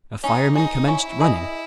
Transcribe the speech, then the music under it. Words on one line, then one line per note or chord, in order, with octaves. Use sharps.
A fireman commenced running.
C#4 D#4
D#4 G#4 D#5
C#4 E4
G#4 D#5